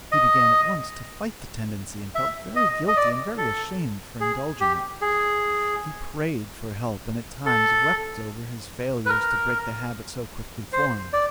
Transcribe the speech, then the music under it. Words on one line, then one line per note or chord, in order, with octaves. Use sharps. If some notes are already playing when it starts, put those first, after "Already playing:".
He began at once to fight the tendency, and felt very guilty and very ashamed for indulging it. He prayed for help and at times wept over his failures to break the habit so quickly formed.
D#5
E5
D#5
D#5
D5
A4
G#4
G4
G#4
A4
B4
A#4
C5
D5